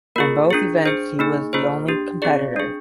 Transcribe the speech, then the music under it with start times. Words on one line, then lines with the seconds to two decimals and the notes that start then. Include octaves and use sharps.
In both events he was the only competitor.
0.16 A#3 F4 G#4 A#4
0.50 D4 F4 G#4
0.86 D4 G#4 C5
1.19 A#3 D#4 G#4
1.53 A#3 F4 G#4 C5
1.88 D4 G4
2.22 C4 F4 G#4 D5
2.56 D4 G#4